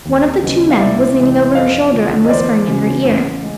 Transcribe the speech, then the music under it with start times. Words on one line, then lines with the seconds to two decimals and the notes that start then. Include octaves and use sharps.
One of the two men was leaning over her shoulder and whispering in her ear.
0.05 D#2
0.42 C#3 F#3 B3 D#4
0.70 F5
0.79 C2 D5 E5
1.17 C3 E3 G#3
1.54 F2 D#5 F5
1.93 D3 F3
2.25 D#5
2.29 E2 C5 D5
2.68 C#3 F#3
3.05 A1
3.43 G#3